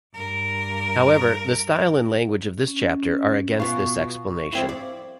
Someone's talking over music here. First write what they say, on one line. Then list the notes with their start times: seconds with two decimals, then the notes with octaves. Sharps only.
However, the style and language of this chapter are against this explanation.
0.14 G2 A#4
2.68 C#4
3.60 B2 B3 F4 C#6
4.53 F3 C4 E4 F5
4.69 D5